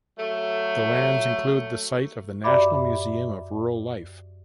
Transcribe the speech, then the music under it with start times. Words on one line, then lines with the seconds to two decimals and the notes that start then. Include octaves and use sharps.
The lands include the site of the National Museum of Rural Life.
0.18 F#3 A3
2.44 F#2 G4 D5 E5 B5 D6